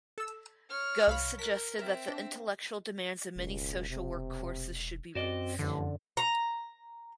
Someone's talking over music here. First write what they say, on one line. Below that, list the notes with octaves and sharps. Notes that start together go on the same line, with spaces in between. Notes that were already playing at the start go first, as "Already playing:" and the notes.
Gove suggested that the intellectual demands of many social work courses should be raised.
A4 E6
C#5 F6
C2 F5 B5
A#4 F#6 B6
C4 A#4 E5
D4
E1 C#2
C3
F#2 C4 F#4 D5 D#5
A1 F2 D3
A#5